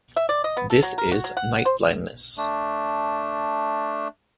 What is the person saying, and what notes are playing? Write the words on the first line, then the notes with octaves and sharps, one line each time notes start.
This is night-blindness.
E5
D5
D#5
B3
A4
F#3
A#4
F#4
F#3
F#5
C5
A3 D4